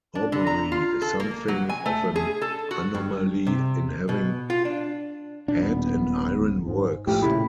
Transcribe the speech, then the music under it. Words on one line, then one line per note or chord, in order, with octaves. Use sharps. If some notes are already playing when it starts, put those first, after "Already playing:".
Horbury is something of an anomaly in having had an iron works.
D4
D3
A#5
F4
A4
A#3
F#3
G#5
A3
G#4
A4
F#4
G2
C3
B2
F4
D4
B2 D4
D#1 B3
G#2
A2 F3 A3 G4
A#2 C#3 E4